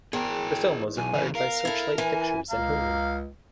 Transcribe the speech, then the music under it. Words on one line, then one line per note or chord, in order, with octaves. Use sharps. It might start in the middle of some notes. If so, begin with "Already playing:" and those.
The film was acquired by Searchlight Pictures and Hulu.
E2 G#4 A#4 G5
B1 G#5
C#3 E3
A#4 F5
E4 A4
E3 G#5
C#2 F5 A#5